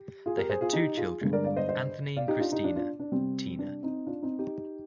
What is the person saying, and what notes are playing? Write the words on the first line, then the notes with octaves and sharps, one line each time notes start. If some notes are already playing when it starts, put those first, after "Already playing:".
They had two children, Anthony and Christina "Tina".
Already playing: G4
F4 G#4
G4 A#4
G#4 C5
F4 G#4
D#4 G4
F4 G#4
G2 D3 G#3
A#4 D5
D5 F5
C5 D#5
C5 D#5
D5 F5
D#4 G4
D4 F4
D#4 G4
D4 F4
D4 F4
D4
C3 G3 C4
D4
C4 D#4
D4 F4
C4 D#4
D#4 G4